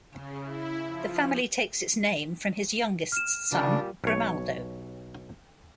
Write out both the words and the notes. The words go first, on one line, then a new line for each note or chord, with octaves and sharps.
The family takes its name from his youngest son Grimaldo.
C#3
E4
F3
F6 E7
A#2 C#3 G3 D4
B1 C#5